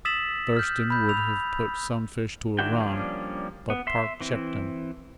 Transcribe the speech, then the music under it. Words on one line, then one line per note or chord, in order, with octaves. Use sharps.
Thurston would have put Sunfish to a run, but Park checked him.
D#6 E6 A6 B6 E7 F#7
F6 G6
B5 G6
E6 F7
D#3 D4 E4 F#4 G5
F3 G3 A#3 C#4 D4
B3
E5 C6
E3 C4 E4